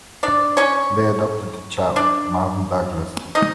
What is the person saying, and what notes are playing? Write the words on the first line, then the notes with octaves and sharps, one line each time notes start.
They adopted a child, Marvin Douglas.
D4 D5
C#4 C#5
D4 D5
D#4 D#5